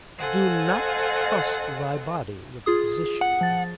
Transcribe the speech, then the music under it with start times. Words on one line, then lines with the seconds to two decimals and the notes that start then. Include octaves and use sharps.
Do not trust thy body with a physician.
0.18 A4 C5 D#5 F5 F#5 G#5
2.66 F4 G#4 D#6
3.21 F#5
3.41 F3 A6